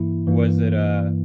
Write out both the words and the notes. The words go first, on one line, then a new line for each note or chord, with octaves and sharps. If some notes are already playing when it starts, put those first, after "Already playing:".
Was it a
Already playing: G2 E3 A#3 E4
G2 E3 A#3